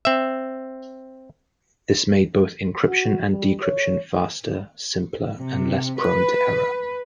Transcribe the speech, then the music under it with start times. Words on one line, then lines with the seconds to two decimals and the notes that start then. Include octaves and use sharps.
This made both encryption and decryption faster, simpler and less prone to error.
0.05 C4 E5
2.88 F#4
3.31 G3
3.62 C#5
5.38 C3
6.02 B4